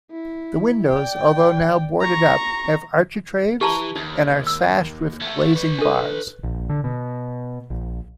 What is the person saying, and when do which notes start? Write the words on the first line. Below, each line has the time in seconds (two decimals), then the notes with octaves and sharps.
The windows, although now boarded up have architraves and are sashed with glazing bars.
0.11 E4
0.89 D5 G5
2.01 A#5 C#6
3.61 E3 G4 A5 A#5
3.96 D#2 D#4
4.47 E6
5.20 E2 A3
5.53 B4 C#5
5.79 D4 A4
6.43 A#1
6.69 D3
6.84 B2
7.70 A#1